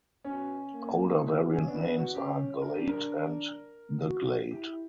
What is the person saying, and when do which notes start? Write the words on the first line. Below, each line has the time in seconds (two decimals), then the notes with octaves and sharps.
Older variant names are "Glade" and "The Glade".
0.24 B2 C#4
0.72 A#3
1.19 E4
1.36 F#4
1.51 C#4
1.67 B3 D4
1.75 E4
1.83 D4
1.98 F#4
2.14 C#4 G4
2.62 D4 A#4
2.75 G4
2.89 A#4
4.04 F#4
4.51 E4 G4